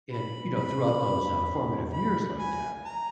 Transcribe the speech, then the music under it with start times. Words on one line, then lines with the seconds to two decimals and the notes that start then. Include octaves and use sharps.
and, you know, throughout those, uh, formative years like that,
0.12 B5
0.56 B5
1.93 B5
2.39 G#5
2.84 A#5